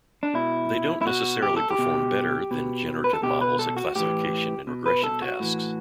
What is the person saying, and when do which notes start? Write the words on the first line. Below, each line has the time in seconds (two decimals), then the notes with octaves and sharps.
They don't necessarily perform better than generative models at classification and regression tasks.
0.23 D4
0.34 B2 E4
1.01 E4
1.06 B2 F#4
1.42 G4
1.57 A4
1.70 G4
1.79 B2
2.51 B2
3.04 B4
3.13 A4
3.23 B2 G4
3.41 B4
3.59 A4
3.77 F#4
3.95 A2 E3 G4
4.67 B2
4.86 B4
5.04 A4
5.22 F#4
5.40 A2 E3